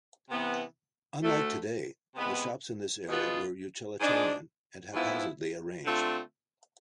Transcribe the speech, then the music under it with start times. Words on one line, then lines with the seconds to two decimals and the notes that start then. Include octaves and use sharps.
Unlike today, the shops in this area were utilitarian and haphazardly arranged.
0.30 C3 E3 B3
1.23 D2 D3 A3
2.15 C3 G#3 B3 E4
3.08 E2 B2 G#3 B3 F4
4.01 G#2 G#3 D4
4.93 G#2 F3 B3 E4
5.85 D3 A3 C4 F4